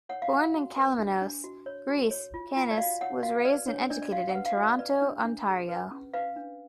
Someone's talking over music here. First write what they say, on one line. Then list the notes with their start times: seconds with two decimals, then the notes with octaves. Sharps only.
Born in Kalymnos, Greece, Cannis was raised and educated in Toronto, Ontario.
0.09 C#5 F#5
0.22 F5
0.32 F#4 F#5
0.54 F#4
0.77 B4
0.99 D4
1.22 D4
1.44 F#4
1.66 C#5
1.89 F#4
2.11 C#5
2.34 F4
2.56 F4
2.71 D5
2.78 F#4 F5
3.01 C#5 F#5
3.23 F#4 F5
3.45 B4 D5
3.68 D4 C#5
3.90 D4 D5
4.02 D5
4.12 F#4 F5
4.29 F#5
4.35 B4
4.46 F5
4.57 F#4
4.63 D5
4.79 B4 D5
5.02 D4
5.24 D4
5.47 G#4
5.69 B4
5.91 C#4
6.14 B4 F5
6.36 D4